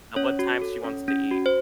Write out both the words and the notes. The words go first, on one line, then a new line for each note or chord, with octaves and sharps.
At what time she wants to eat.
C#4 C#5
F#4
A4
C#4
C#4
F#4
C5